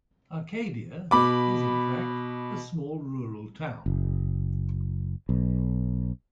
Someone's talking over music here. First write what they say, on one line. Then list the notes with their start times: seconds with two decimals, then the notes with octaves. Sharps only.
Arcadia, is in fact a small rural town.
1.11 B2 B5 D6
3.86 F#1
5.29 B1